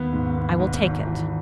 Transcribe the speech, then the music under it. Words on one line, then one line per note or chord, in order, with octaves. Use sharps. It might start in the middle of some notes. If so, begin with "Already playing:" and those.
"I will take it."
Already playing: D#2 B3
G#2
B3
G#2
G#1
E3